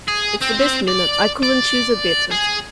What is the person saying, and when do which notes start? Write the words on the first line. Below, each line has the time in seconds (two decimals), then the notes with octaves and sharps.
"It's the best minute; I couldn't choose a better."
0.08 G#4
0.42 C4
0.88 D5
1.43 D5
2.31 G#4